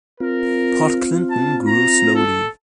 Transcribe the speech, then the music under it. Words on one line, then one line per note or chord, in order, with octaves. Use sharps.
Port Clinton grew slowly.
C4 F4 A#4
A5
A#5
A4